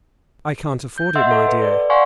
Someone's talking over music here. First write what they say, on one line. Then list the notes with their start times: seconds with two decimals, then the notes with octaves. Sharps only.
"I can't afford it, my dear."
0.98 G6
1.15 D#5 E5 F#5 C6 E6
1.31 A4
1.48 B4
1.62 D5
1.90 D5 F5 F#5 G#5 C6 C#6